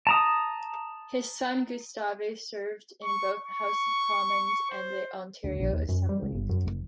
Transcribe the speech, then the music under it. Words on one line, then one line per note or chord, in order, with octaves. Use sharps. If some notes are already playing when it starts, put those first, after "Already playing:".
His son Gustave served in both the House of Commons and the Ontario assembly.
A5 A#5 D#6
C#6
C#6
C5
D2
A#1
D#2
F#2
G3
C#2
G1
F#2
F#1